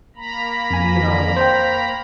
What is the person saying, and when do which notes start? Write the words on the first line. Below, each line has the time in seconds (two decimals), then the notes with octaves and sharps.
you know,
0.16 A#3 A#5 B5
0.70 F2 G#5
1.37 C5 G5